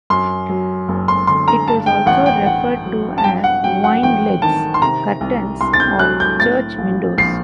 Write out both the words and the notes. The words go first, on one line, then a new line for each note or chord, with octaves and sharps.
It is also referred to as wine legs, curtains, or church windows.
F#2 C6
F#3
F#1
C6
D3 C6
A#5
G2 A5
G5
A1 F#5
G5
A1 F#5
F#3
A5
G2 G5
F#5
F#3 G5
F#5
A1 G5
D#3 A5
C6
C3 A#5
C2
C2 C6
A6
G6
F#3 F#6
G6
A2 A6
A#1
A#1 C7